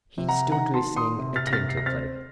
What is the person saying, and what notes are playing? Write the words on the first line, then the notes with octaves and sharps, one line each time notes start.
He stood listening attentively.
C3
F#5 A#5
D#3 F#5 A#5
A5 C6
D#3
C6 D#6
C3
F6 A6
A#6
C3 F6 A6
C7
A#6
C4 F6 A6